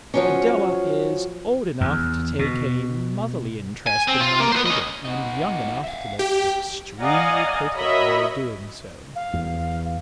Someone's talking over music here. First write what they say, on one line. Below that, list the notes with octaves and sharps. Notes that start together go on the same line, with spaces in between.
Adela is old enough to take a motherly interest in my figure, and young enough to look extremely pretty while doing so.
F3 F#3 C#4
E2
B2
G#5
C4
F4
A#3
B3 C5
C#4 D#5
D#4 F#4
E5 F5
G4 G5
D5 D#5 F5 F#5 G#5 A#5
F#4 A#4 C#5 D#5 E5 B5
F5
E2